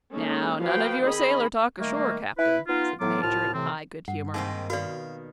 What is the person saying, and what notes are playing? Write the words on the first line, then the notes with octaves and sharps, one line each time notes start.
"Now none of your sailor-talk ashore, Captain," said the Major, in high good humour.
G#3 A#3 C#4 D#4 A4
F3 F#4 B4 F5 G5
D#3 C4 G#4 D#5 B5
D#3 G3 A3 A#3
E4 B4
B3 D#4 F4
A2 F#3 B3 F4 D6
C2 A2 F4 A5 F6
A2 C3 E3 C4
G2 F#5
G#2 D#3 A#3 C4 D#4 G4
B2 D#3 F#4 B4 D5 F5